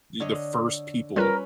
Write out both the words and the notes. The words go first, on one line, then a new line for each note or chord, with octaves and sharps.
e the first people
D3 C#5 D#5
G3 C#4 F4 A#4 B4 B5